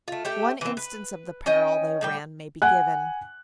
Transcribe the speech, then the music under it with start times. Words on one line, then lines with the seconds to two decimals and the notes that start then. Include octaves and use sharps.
One instance of the peril they ran may be given.
0.08 A3 F4
0.25 A3 G4 G5
0.61 E3 C4
0.77 B4
1.46 C#4 D#5 G5
2.01 A2 G3 G5
2.62 F#5 G#5 F#6